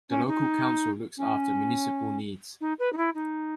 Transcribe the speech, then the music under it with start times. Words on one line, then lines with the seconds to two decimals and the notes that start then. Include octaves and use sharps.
The local council looks after municipal needs.
0.10 C#4
0.27 D#4
1.17 C#4
2.61 D#4
2.79 B4
2.93 D#4
2.97 E4
3.15 D#4